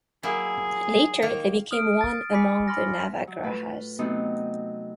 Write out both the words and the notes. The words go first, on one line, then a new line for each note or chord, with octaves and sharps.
Later they became one among the Navagrahas.
F#3 A#3 E4 G#4
D#3 A#3 A#5
D#6 F6 D7
A6
G#5 B5 D6 B6 C#7
B5 C6 F6 A#6
F#3
A2 F4 B4
C3 F#3 A3 B3 D#4 F#4